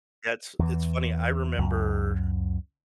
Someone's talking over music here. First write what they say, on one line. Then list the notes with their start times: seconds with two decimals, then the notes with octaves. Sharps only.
That's it's funny, I remember
0.59 E2 E3
1.58 C#2 F#2